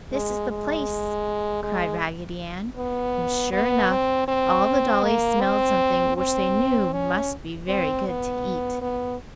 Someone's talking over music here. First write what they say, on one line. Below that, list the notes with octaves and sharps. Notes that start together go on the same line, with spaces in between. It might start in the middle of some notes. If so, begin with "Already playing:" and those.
"This is the place!" cried Raggedy Ann, and sure enough, all the dollies smelled something which they knew must be very good to eat.
G#3
G#3
G#3
B3
B3
C4
C4
A#3
C4
C4
C#4
C4
B3
B3